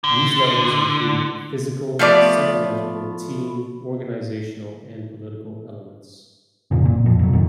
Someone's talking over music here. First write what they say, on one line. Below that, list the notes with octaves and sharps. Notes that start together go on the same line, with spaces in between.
These levels include physical, psychological, team, organizational, and political elements.
D3
F3 A3 B3 D5
F2 A#2 C#3
F#1 A#2
F2
C2 A#2 F#3
F2 B2 D#3